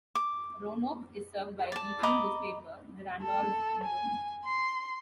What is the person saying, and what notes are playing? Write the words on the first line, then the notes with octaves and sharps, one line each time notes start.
Roanoke is served by a weekly newspaper, "The Randolph Leader".
D6
D5 A5
D#5 A#5 B5 D6
A4
G#5
C6